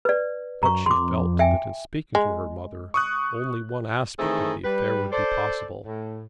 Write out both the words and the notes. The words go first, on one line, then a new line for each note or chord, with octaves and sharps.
But she felt that, in speaking to her mother, only one aspect of the affair would be possible.
B4 D5
F#2 A#5 C#6
F2 C6 D6
E5 G5 G#5
G#3
C#6 D#6 F#6
D#3 E3 A3 C4 G#4 A4
G3 B4
A4 C5 D5
A2